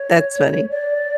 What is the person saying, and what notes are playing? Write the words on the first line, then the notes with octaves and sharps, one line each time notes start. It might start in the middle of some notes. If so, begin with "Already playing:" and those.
That's funny.
Already playing: C#5
D5